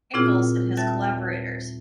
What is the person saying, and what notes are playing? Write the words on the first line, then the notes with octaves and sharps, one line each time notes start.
Ingalls and his collaborators.
A#2 C4 E4 F4 G#4
D#2 G3 E5 A5 A6